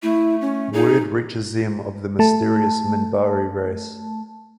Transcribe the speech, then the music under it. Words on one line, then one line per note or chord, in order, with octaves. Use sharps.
Word reaches them of the mysterious Minbari race.
A3 E4
C#4
D#4 G#4
A3 A5